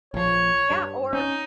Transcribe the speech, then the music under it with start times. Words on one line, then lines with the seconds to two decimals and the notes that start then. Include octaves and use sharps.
Yeah, or
0.14 A#1 F3 C#5
0.71 G2
1.13 C#4 D#4